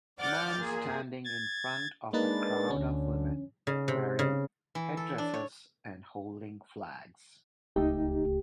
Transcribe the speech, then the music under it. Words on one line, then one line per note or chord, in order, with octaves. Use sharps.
Man standing in front of a crowd of women wearing headdresses and holding flags.
D5 F#5 D6 F6 G6 A6
A#2 G#4
G#6 A6
G#3 A#3 D4 D#4 B4 A6
D2 D3 C#4
C#3
C3
C#3
E3
A4
D4
C#5
D1 C#2 A3 D#4 G4